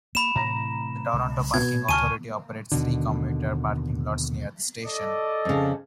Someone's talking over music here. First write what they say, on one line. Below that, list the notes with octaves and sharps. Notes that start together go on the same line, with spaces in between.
The Toronto Parking Authority operates three commuter parking lots near the station.
A#3 B5 E7
A2 C3 E3 A#5 A#6
C2 C#3 G#3
B2 G#6
D2 C3 G#5 A5 C#6 F6 D#7
D#2 B2 D3
A4 D5 D#5
F2 C#3